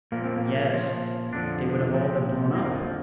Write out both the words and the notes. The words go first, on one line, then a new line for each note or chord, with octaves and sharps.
"Yes, they would have all been blown up."
A#2 F3 A#3
C4
A#3
A#2 F3
F2 D3 F3 D4
A#2 F3 C4
F2 D3 F3 A#3